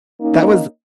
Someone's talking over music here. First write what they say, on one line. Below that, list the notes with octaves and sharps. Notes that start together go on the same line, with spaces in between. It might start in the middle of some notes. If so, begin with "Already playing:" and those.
That was
A#3 C#4 D#4